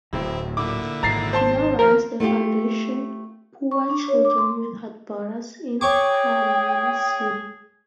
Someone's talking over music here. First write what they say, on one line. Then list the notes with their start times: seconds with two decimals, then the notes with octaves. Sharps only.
He now runs the foundation, "Poor Children Without Borders" in Panama City.
0.13 D1 A2 C4 E4
0.57 A#2 D3 E4 D6
1.03 G#1 G#2 B2 A#5 A6 C7
1.33 C5 A5 C6
1.79 D#2 F3 A#4
2.20 A3 E4 F4 G4
3.71 C#6
3.90 D4
4.08 C#5
4.25 D6
4.38 C6
5.81 G#4 C#5 G5 C#6 D6